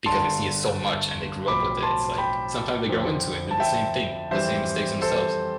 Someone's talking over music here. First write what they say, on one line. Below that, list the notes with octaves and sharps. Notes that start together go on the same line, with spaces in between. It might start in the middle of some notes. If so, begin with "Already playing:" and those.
because they see it so much and they grew up with it, it's like sometimes they grow into it and do the same thing, the same mistakes themselves.
G1 G2 D3 A5 C6
B1 A2 F3 C4 B5 D6
A5 C6
G5 B5
F2 D3 F3 C4
A5
E5 G5
F2 E3 G3 C4 C5 E5
A4 C5